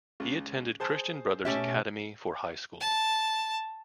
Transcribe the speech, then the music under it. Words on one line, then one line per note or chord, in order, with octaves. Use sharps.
He attended Christian Brothers Academy for high school.
C#2 C#3
G#4 C5 A5
B2 A3 C#4 G4 E5
A5